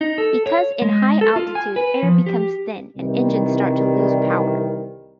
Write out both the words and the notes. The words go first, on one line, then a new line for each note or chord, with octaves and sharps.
Because in high altitude air becomes thin and engines start to lose power.
D#4
A4
C#5
G#3
A4
F4
G#5
B4
F3
G4
C2 C3 D#3 E3 G3